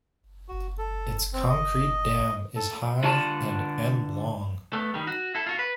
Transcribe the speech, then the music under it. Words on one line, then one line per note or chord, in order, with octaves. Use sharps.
Its concrete dam is high and m long.
F#4
A4
C4
D#5
A4
D3 F4 D5 A5
A3 B3
D#3 G3
F#4
E4 A4
F4 F#4
B4